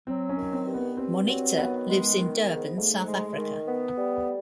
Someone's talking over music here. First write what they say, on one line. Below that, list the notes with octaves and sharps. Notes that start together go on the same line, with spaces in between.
Moneta lives in Durban, South Africa.
F#3 C4
C#4
D#3
C4
G2
B3
G2 C4
F#3 C4
D#3 B3
G#3
D#3
G#2
G#2 A3
G#3
D#3
B3
G3